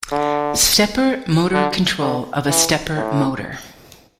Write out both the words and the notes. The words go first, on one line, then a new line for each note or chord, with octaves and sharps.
Stepper Motor Control of a stepper motor.
D3
D3
D3
E3
A2